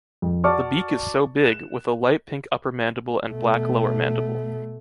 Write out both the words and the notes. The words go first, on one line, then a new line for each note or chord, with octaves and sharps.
The beak is so big with a light pink upper mandible and black lower mandible.
F2
F#4 D5 A5 C#6 D6 F6
F#6 E7
B2 A3